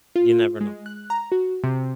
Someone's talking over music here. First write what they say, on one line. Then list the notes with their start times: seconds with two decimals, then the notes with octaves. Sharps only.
You never know.
0.16 F4
0.61 G#3
0.86 F#6
1.10 A#5
1.32 F#4
1.63 C3